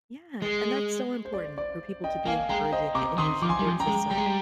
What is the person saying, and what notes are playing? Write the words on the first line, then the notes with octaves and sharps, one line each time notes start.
Yeah. And that's so important for people to be encouraging i in your support system
G#3
C5
D5
D5
D#5 G5
A#3 F5 G#5
G#3 G5 A#5
C5 D#5
C3 A#5 D6
D#3 C6 D#6
F3 D6
G#5 C6
G3
F3
G5 A#5
G#3
G3 G5 A#5
G#3
G3